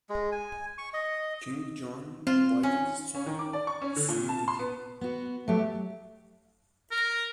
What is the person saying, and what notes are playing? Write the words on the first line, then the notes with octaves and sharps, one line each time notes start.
King John invited his son to swim with him.
G#3
G#5
C#6
D#5
C4 F4
C#4
C#4
D#3
D6
D5
C#6
C#4
D3
A#2
A5
C6
B3
B3 F#4
F#3 A3 G4
A#4